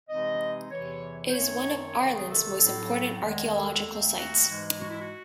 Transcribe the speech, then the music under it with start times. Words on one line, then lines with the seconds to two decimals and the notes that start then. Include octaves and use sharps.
It is one of Ireland's most important archaeological sites.
0.08 C3 E3 G#3 C4 D#4 D#5
0.71 E2 C3 E3 C#5
1.26 C5
1.33 F#2 D#3 A3 C4 D#4 C#5
1.97 C2 C3 D#3 A3
2.17 G#4
2.29 A4
2.59 A2 F#3 C4
3.22 E2 D#3 G#3
3.53 A4
3.85 D#2 D#3 A3 C4
4.16 F#4
4.47 G#2 E3 G#3
4.79 F#4
4.88 E4
4.98 F#4